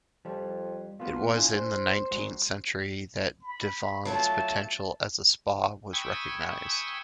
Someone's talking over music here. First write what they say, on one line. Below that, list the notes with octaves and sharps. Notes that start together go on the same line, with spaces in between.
It was in the nineteenth century that Divonne's potential as a Spa was recognised.
F2 F3 G3
A3 B3 F4 F#4
D4 E4 G#5
C5
G#3 F#4
B5
F#3 A3 F4 A5
G5 G#5 B5 C#6 D#6 E6